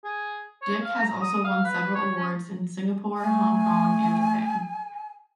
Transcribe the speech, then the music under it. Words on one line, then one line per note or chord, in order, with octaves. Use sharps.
Dick has also won several awards in Singapore, Hong Kong and Japan.
G#4
C#5
F5
A#5
D#6
F5
B4
C#5
C#4
A3 G#5